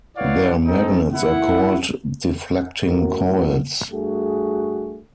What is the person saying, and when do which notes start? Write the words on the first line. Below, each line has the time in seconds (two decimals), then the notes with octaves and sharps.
Their magnets are called "deflecting coils".
0.17 E4 B4 C#5 D5 F5 F#5
0.66 C4 D#4 A4
1.13 E4 F#5
2.86 A1 F#2 A2 F#4 A#4
3.91 G2 A3 F#4 G#4